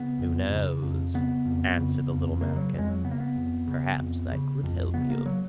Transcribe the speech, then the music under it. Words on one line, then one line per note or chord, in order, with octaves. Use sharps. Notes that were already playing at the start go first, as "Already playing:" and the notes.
'Who knows,' answered the little Mannikin. 'Perhaps I could help you.'
Already playing: C#3 B3
F2
C#3
F2
C#3 B3
F2
C#3
F2
C#3 A#3
F#3
F2
G#3
F#3
C#3 B3
A#3
B3
F2
C#3
F2
C#3
F2
C#3 B3
A#3
F#3